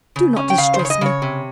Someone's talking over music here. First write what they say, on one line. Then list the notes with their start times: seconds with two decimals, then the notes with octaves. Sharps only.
Do not distress me.
0.16 C#3
0.36 C#4
0.50 G5
0.58 C#3 F5
0.74 C5
0.79 C#3
0.85 C#5
0.90 D#5
1.01 C#3 C#5
1.22 C3